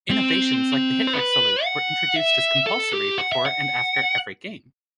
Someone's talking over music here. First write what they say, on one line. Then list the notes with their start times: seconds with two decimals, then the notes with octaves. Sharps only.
"Innovations" like the Hitler salute were introduced as compulsory before and after every game.
0.11 C4
1.07 C5
1.13 B4
1.64 F#5
2.16 E5
2.67 A4
2.93 G4
3.18 F#5
3.32 E5
3.46 F#5